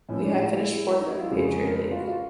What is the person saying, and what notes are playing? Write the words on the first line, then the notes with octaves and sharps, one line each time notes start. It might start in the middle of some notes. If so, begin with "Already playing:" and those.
Lehigh finished fourth in the Patriot League.
A2 F3 A3 C#4
D4
F4
E4
D#4
E4
F4
F2 C#3 F3 G#3 F#4
G#4
A#4
B4
F4
F#4
F4